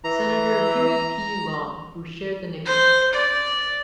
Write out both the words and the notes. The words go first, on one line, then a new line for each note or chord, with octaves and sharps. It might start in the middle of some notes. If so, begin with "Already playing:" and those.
Senator Huey P. Long who shared the nickname.
E3 A#5
C5
D5